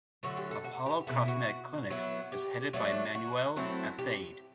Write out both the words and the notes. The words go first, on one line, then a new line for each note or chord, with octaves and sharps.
Apollo Cosmetic Clinics is headed by Manuel Athayde.
D3 F#3 A3 F#4
G4
A4
F#4
G4
B2 G3 B3 E4 A4
F#4
F#3 B3 E4
G4
F#3 A3 D4
F#4
F#3 A3 C4 E4
G4